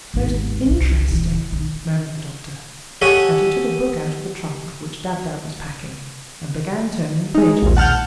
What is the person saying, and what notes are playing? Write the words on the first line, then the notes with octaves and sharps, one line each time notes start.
"Most interesting!" murmured the Doctor; and he took a book out of the trunk which Dab-Dab was packing and began turning the pages.
G#1 D#2
F#1 C2
D#1 E3
D3 D#3
G4 A4 C#5 D#5 F#5 G#5
G#3 D#4
A#1 D#2 A#2
F#5 A5 F6 G6